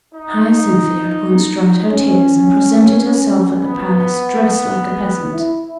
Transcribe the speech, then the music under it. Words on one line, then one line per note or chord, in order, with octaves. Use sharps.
Hyacinthia at once dried her tears, and presented herself at the palace, dressed like a peasant.
D#4
C#4
B3
E4